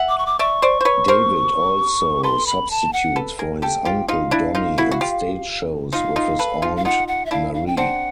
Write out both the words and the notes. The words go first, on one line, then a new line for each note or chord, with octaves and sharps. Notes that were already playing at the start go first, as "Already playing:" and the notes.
David also substitutes for his uncle Donny in stage shows with his aunt Marie.
Already playing: E5 F#5
D6
C#6
D6
D5 E5 C#6
C5 D5
C5
B4 C#5
A#4 C5
A4 B4 C6
B5
A5
F#5
A4 B4
G#4 A#4
G4 A4 G5
F4 G4
D#4 F4 F5
D4 E4
D#4 F4
E4 F#4
F#4
F4 G4
D#4 F4 F5
D#4 F4
A4 B4
D#4 F4
F5
D#4 F4 F#5
F#5
E5
D4 E4 F5
F5
G5
C4 D4 F#5